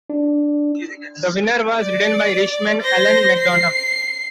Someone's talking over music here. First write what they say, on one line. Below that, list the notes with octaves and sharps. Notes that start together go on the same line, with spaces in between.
The winner was ridden by Irishman, Alan McDonough.
D4
D5
C5 A#6
C7